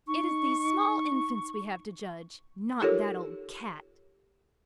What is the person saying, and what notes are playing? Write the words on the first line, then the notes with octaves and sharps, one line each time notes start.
It is these small infants we have to judge; not that old cat.
D#4 C#6
D#4 F4 G4 A4 A#4 C#5